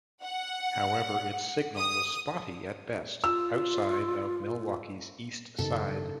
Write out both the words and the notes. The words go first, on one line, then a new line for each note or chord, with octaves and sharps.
However, its signal was spotty at best outside of Milwaukee's East Side.
F#5
D#6
F4 E6
F#1 F#2 D#3 B3 D#4 G4 A4